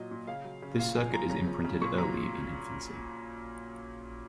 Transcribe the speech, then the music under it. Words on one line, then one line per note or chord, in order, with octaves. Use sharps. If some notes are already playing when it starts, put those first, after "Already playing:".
This circuit is imprinted early in infancy.
Already playing: A#2 F#3 D#5
A#2
C#3 F5
F#3
C#3
A#2 F5
F3 G#5
A#2 A#5
C#3 A#5
F3
C#3
A#2 C#6
F#3 A#5